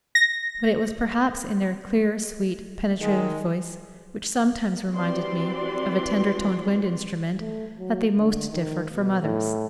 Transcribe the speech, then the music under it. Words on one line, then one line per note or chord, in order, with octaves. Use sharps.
But it was perhaps in their clear, sweet, penetrative voice, which sometimes reminded me of a tender-toned wind instrument, that they most differed from others.
A#6
D#3 G#3
E3 C4 F#4 G4 D5 C6
A3
F#3
D3
D#3
B2
A2